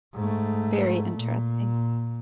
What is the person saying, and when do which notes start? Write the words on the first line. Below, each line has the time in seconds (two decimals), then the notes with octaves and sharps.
Very interrupting.
0.15 G#2 A3
1.18 A#2